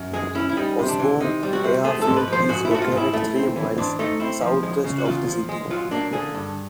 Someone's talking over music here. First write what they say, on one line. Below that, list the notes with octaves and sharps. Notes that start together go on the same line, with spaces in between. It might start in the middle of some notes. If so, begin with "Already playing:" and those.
Osborn Airfield is located three miles southwest of the city.
Already playing: F#2
G#3 G#4
C#4 E4
E4
G3 D#4
C3
D4
E3
C3 D#4
G3
F#4
C3
A3 G#4
A4
G#2
B4
F3 C5
G#2 F#4
E4
A3 F#4
F4
G#2
E4
A3
C4
E3
G#2 D4
A3 D#4
C4 E4
F3
G#3
C#3
F#4
E2 F4
F3
G#3
F#3 F4
A#3 D4
D3 G#4
G2